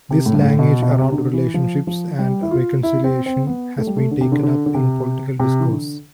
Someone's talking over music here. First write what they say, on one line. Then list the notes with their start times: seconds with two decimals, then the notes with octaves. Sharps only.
This language around relationships and reconciliation has been taken up in political discourse.
0.11 C3
0.26 A2
0.34 G2
0.41 A2
0.59 B2
0.82 B2
0.91 C3
1.02 C3
1.12 D3
1.33 E3
1.54 F3
1.87 F3
2.19 G3
2.42 E4
2.51 F4
2.83 E4
3.04 C4
3.26 C4
3.47 B3
3.78 A3
3.87 G3
3.97 A3
4.11 D3
4.21 C3
4.32 D3
4.43 D3
4.66 D3
4.74 C3
5.40 C3
5.60 E3
5.72 D3